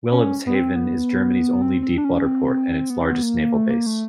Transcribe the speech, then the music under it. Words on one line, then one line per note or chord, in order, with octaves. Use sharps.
Wilhelmshaven is Germany's only deep-water port, and its largest naval base.
C#4
B3
C4
B3
C4
C4
D4
C#4
C4
B3
C4
B3
A#3
A3
A#3
A3